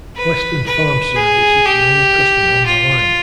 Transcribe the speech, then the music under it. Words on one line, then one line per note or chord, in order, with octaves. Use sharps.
Western Farm Service is the only customer on the line.
B4
B4
G#4
G4
F4